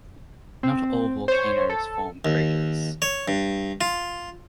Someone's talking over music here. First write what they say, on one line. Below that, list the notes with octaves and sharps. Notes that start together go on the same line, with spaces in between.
Not all volcanoes form craters.
C4
C5 C#5
A4
D#2
C#5
G2
F4